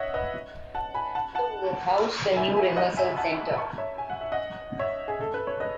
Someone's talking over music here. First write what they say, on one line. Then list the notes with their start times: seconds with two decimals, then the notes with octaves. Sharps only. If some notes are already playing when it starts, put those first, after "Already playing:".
The latter will house the new rehearsal center.
Already playing: C#5 D#5 E5 F#5
0.14 B4 D#5
0.75 F#5 A5
0.95 G#5 B5
1.15 F#5 A5
1.35 F#5 A5
2.36 E5 G#5
2.57 E5 G#5
2.77 D#5 F#5
2.97 E5 G#5
3.17 F#5 A5
3.58 A5 C#6
3.78 C#5 E5
3.98 G#5
4.10 F#5
4.21 E5
4.32 D#5 F#5
4.79 C#5 E5
5.08 G#4
5.21 A4
5.34 B4
5.47 C#5
5.60 B4 D#5